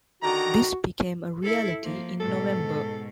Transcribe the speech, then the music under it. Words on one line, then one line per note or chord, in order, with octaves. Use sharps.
This became a reality in November.
D3 D#3 F#4 A#5
E4 A4
F3 A#3
G#2 B2 A4